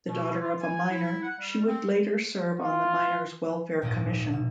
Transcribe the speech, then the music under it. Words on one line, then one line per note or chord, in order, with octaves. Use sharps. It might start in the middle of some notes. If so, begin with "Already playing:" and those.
The daughter of a miner, she would later serve on the Miners' Welfare Commission.
B2
F4
G#5
E4
F#5
G3
C4
F4
D#1 G#1 A#2 D5 D#5
B2 E7